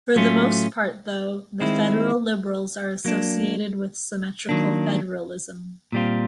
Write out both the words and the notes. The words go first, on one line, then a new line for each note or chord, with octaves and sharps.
For the most part though, the federal Liberals are associated with symmetrical federalism.
A2 F#3 A3 C#4 F4
D#3 G#3 C4 E4
F#3 A#3 D4
D#3 F#3 A#3 D4
A#2 G3 C4 F4